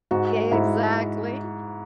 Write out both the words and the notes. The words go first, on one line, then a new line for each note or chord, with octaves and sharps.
Yeah, exactly,
G#2 F#4
G#2 E4